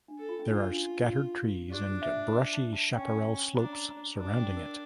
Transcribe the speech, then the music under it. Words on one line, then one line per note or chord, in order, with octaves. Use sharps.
There are scattered trees and brushy chaparral slopes surrounding it.
D4
A4
F4
C#4
D4 F4
D4
D4 G4
E5
A5
A5
C#4 G5
D4 A#5
A#5
A#5
D4 A5
G5
A#4